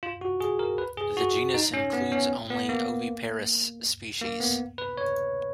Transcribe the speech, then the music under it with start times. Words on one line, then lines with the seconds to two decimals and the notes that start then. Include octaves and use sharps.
The genus includes only oviparous species.
0.03 F4
0.21 F#4
0.40 G#4
0.59 A#4
0.78 B4
0.97 G#4
1.17 F#4
1.54 D#4
1.74 C#4
1.93 B3
2.12 C#4
2.50 B3
2.69 A#3
4.22 A#3
4.40 B3
4.78 B4
4.98 C#5